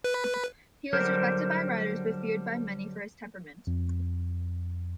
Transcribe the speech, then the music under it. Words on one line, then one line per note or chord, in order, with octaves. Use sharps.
He was respected by riders but feared by many for his temperament.
B4
D3 F#3 G3 D4 A#4 C5
F2